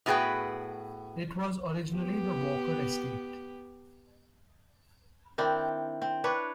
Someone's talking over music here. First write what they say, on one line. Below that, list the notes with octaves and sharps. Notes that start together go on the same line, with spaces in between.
It was originally the Walker estate.
A2 B3 F#4 G#4 B4 G5
B3 G4
D#3 C4 D4 E4
C4
D4 B4 C#5